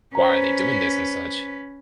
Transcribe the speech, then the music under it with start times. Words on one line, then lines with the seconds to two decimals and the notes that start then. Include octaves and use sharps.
"Why are they doing this," and such.
0.15 C#4 B4 C5 A#5